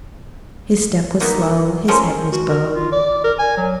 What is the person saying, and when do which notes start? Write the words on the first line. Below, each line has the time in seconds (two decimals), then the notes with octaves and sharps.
His step was slow, his head was bowed.
1.20 A#3 B3 D#4 E5
1.88 F3 G#3 C#4 A4 A#4
2.32 F#4
2.50 A#4
2.75 F4
2.92 D5
3.24 A#4
3.39 G#5
3.57 F#3